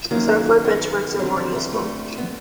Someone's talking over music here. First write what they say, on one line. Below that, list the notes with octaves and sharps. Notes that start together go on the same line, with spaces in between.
Software benchmarks are more useful.
F#2 D#3 F#3 A#3
B3
D3 F#3 G3 C4
F3
E3
A3
B3